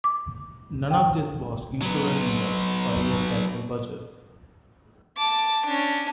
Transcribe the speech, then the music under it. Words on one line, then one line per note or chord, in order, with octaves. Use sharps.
None of this was included in the five-year capital budget.
D6
G5
F#3 B3
A5 D6
C#4 D4